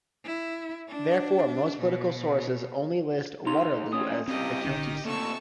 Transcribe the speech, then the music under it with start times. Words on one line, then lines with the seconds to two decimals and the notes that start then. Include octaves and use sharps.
Therefore, most political sources only list Waterloo as the county seat.
0.24 E4
0.88 D4
1.80 B2
3.46 D#2 D#4 C6 F7
3.93 A2 C#4 D#6
4.28 C#3 G3 C4 G4 D#5
4.65 A#1 D3 D#3 C#4
5.05 C3 A3 A#3 A5 C#6 E6